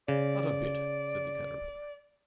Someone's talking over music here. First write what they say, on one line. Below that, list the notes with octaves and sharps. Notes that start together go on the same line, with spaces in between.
'Not a bit,' said the Caterpillar.
C#3 D5